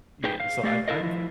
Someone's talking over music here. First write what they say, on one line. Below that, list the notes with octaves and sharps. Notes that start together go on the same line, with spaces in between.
Yeah, so, I've I've
D#4 G#4 B4 G5
F5
A3 G4 D5 F5
E4 A4 A#4 D#5
F3 E4